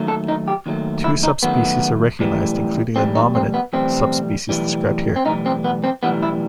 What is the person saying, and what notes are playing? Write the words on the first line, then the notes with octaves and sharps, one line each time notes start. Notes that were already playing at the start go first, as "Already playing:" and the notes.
Two subspecies are recognized, including the nominate subspecies described here.
Already playing: D#2 D#3 F#3 A3
A4
D#4
G4
D#2 D#3 F#3 A3
E4
D#4
D#2 D#3 F#3 A3 B3
B1 A2 E3 G3
B1 A2 E3 G3 C4
D#4
C4
B3
B1 A2 E3 G3 C4
B1 A2 E3 G3
C4
B1 A2 E3 G3 D#4
C4
B3
C4
B1 A2 E3 G3 B3
E4